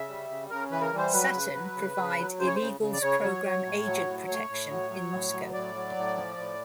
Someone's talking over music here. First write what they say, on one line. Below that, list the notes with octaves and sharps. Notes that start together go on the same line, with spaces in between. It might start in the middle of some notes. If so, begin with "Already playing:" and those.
Saturn provide illegals program agent protection in Moscow.
Already playing: C#3 E5
G3
C#3
C#3 A#4
E3 B4
A#4
G3
C5
F#3 B4
C#3
F#3
C#3
C#3
F#3
C#3 C5
C#5
C5
C#3
C#3
D5
C#3 C#5
F#3
F#3
A2
F#3
A2
A2 C#5
A2
F#3
F#3
A2
F#3
A2 D5
F#3
A2
F3
A2